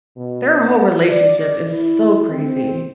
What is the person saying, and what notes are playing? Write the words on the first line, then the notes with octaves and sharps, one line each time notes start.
Their whole relationship is so crazy.
B2
F#5
D5
E4
C4